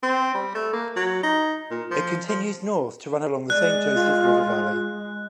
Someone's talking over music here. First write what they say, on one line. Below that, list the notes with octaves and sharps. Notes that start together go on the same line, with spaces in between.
It continues north to run along the Saint Joseph River valley.
C4
G3
A3
A#3
F#3
D#4
A#2
F3
F3
G#3 D5 F#6
F4